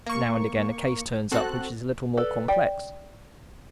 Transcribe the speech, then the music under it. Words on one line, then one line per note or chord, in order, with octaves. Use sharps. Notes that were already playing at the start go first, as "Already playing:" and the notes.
Now and again a case turns up which is a little more complex.
A#3 C#6
C4 F#4 A4 F#6
A4 B4 D5
D5 G5